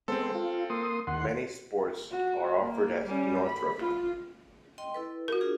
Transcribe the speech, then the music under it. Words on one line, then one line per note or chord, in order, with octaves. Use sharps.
Many sports are offered at Northrop.
G#3 B3 C4 A4 C5
F4
A#3 C6 D#6
D#2 F#5 C6
F#4
A#3
G3 C#4
B5
F4
D#5 G5 C6
E4 A4 B4
F#4 G4 A#4
D4 F4 G#4